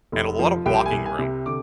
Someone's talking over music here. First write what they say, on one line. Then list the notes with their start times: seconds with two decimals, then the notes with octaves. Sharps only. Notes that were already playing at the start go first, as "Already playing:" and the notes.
and a lot of walking room.
0.12 F1
0.39 F3
0.66 C2 G5
0.86 G#5
0.92 C2
1.06 G#5
1.19 C3
1.46 D3 D6